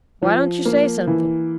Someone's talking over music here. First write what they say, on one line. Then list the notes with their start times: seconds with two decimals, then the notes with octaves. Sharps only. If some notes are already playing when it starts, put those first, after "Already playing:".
"Why don't you say something?"
0.22 F3
0.65 A#3
1.07 E3